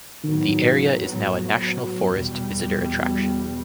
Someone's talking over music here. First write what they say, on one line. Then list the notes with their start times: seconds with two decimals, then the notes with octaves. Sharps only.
The area is now a national forest visitor attraction.
0.23 A2 D#3 F#3 B3
2.12 E2 B2 G3